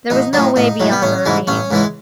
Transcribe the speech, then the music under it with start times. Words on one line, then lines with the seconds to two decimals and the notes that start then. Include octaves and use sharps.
There was no way beyond the ravine.
0.10 A1 D#4
0.33 A2 F#3 D#4
0.56 A1 D#4
0.80 A2 F#3
0.92 B3
1.02 A1 C#4
1.25 G#2 E3 G#3
1.47 A1 C#4
1.71 G#2 E3 G#3